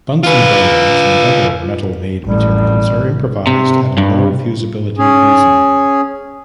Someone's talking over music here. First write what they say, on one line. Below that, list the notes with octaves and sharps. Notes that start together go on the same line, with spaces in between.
Bunsen burners and other metal-made materials are improvised at a low-fusibility reason.
F4 B4
A1 G3
C3
G2
C#4 G#4